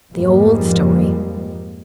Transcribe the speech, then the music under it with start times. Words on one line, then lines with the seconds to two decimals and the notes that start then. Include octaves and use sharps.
The old story.
0.12 F2 G#2 F3 G3 G#3 A#3